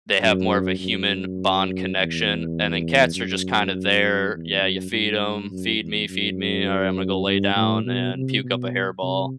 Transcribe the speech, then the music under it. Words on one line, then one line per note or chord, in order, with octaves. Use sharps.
they have more of a human bond connection, and then cats are just kind of there. Yeah, you feed 'em. "Feed me, feed me, alright, I'm gonna go lay down and puke up a hairball."
F#2
F#2
E2
F#2
E2
F#2
G2
F#2
E2
F#2
G2
A2
B2
C3
B2
C3